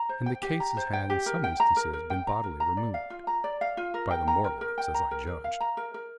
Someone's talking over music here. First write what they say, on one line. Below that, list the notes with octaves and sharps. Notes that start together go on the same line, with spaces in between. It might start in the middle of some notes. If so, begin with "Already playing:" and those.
And the cases had in some instances been bodily removed--by the Morlocks as I judged.
Already playing: A#5
C5
G5
G4
A#5
C5
G5
G4
A#4
G5
A#5
A#4
A#4
G5
A#5
A#4
A#5
D5
F5
F4
A#5
D5
F5
F4
A#4
G5
A#5
A#4
A#4
G5
A#5
A#4
A#4
F5
A#5
A#4
A#4